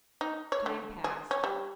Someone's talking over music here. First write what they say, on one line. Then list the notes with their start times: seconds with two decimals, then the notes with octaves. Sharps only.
Time passed.
0.21 D#4
0.52 C#5
0.66 D3
1.04 G#4
1.31 C#4
1.44 G3